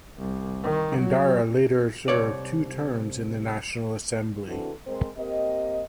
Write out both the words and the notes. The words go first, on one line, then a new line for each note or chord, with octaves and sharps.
Endara later served two terms in the National Assembly.
C2
D#3
F#3
C2 C#5 D5
C#3 E3 C4 D4 F#4 A4
G#3 C4 A#4 C5
A#3 C4 G4 A#4 D#5